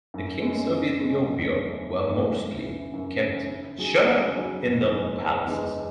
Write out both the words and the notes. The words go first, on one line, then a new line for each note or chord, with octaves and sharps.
The kings of Ethiopia were mostly kept shut up in their palaces.
F#2
C#3 G#3 C#4
F#2
C#3 G#3 C#4
F#1
E2 D3 A3
F#1
E2 D3 A3
F#2
C#3 E3
F#2
C#3 E3
C#3
F#3 C#4 G#4
C#3
F#3 C#4 G#4
F#1
E2 D3 G#3 B3
F#1
E2 D3 G#3 B3